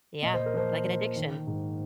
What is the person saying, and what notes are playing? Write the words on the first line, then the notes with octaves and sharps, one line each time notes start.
Yeah. Like an addiction.
A#2 D#5
C5
A#4
F3 C5
F3
D#3
G#2